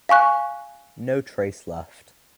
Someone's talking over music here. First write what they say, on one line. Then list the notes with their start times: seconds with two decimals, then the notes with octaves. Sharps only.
No trace left.
0.09 F5 G#5 C#6 F#6